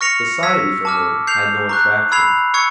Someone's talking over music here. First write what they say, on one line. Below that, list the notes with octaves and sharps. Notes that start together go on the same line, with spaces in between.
Society for her had no attractions.
C#6 F6 A#6 C#7 F7
E6 G#6 B6
A5 D6 F6
G6 C7 F7
A#5 C#6 F#6
B5 E6 G#6 C7 F7
C#6 E6 G#6 C#7